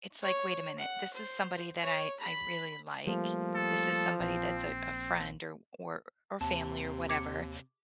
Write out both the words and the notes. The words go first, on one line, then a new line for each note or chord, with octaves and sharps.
it's like, “Wait a minute, this is somebody that I I really like, this is somebody that's a a friend or or or family or whatever,
C#5
F#5
C5
C#5
B5
F3 G3 A3 A#3
A4
A#1 C4
D#2 C3 A5
D6 G#6 C#7